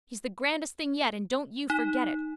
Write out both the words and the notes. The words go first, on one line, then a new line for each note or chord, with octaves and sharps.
He's the grandest thing yet and don't you forget it.
D#4